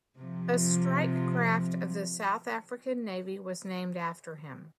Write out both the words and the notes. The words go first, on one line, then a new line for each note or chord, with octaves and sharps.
A Strike Craft of the South African Navy was named after him.
C3 F3